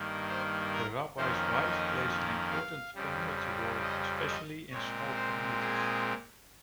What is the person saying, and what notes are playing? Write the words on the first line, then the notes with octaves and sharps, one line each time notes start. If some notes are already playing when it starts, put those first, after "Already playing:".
The rabbi's wife plays an important community role, especially in small communities.
Already playing: G2 D#3 A#3
C5
A#4
F2 D#3 A#3 C#4 C5
D#5
F5
F2 C#3 G3
D#5
D#5
A#2 G#3 C4 C#5
C5
G#4